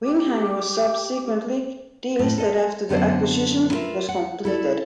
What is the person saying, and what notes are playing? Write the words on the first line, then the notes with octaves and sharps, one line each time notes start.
Wing Hang was subsequently delisted after the acquisition was completed.
G4 D6
A2
A4 D#5
F#2 D3 B3 C4 C5
E4 F4 A#4 B4 E5
F#5
E4 A4 D5